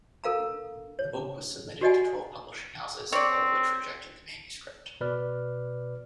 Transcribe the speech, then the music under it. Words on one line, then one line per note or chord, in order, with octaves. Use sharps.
The book was submitted to twelve publishing houses, all of which rejected the manuscript.
A4 A#4 F5 A#5
C#5
F#4 G4 D5 D#5 F#5 G#5
C4 C#5 D5
B2 B4 D5 F6